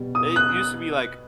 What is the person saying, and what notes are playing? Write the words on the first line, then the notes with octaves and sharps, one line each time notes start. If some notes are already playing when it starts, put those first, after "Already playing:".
it used to be like,
Already playing: B2 G3
D#6
F#6